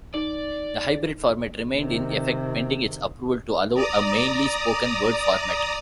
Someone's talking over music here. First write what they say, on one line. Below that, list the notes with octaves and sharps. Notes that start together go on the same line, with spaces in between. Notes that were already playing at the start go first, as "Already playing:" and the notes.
The hybrid format remained in effect pending its approval to allow a mainly-spoken-word format.
D#4 D5 F#7
C3 D#3
D5 A#5 D#6